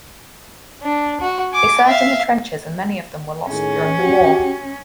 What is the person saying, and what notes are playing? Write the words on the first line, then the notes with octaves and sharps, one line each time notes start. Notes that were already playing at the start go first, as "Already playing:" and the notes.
They served in the trenches and many of them were lost during the war.
D4
F#4
G#5 D6
E5 F5
A2 D#3 C#4 G#4
F#4 G4